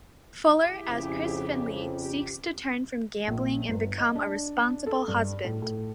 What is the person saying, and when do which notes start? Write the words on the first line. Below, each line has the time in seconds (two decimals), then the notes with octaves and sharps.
Fuller as Chris Finley seeks to turn from gambling and become a responsible husband.
0.58 E4 G4 G#4
0.89 F2 C#3
2.01 G4
3.28 A#1
3.69 G1
3.98 D#5
4.15 D4
4.86 A4
5.08 G2
5.44 A2
5.62 A2